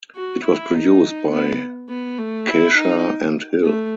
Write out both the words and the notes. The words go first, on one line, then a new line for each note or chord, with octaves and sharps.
It was produced by Kesha and Hill.
F#4
E4
D#4
B3
B3
A3
E4
D#4
A3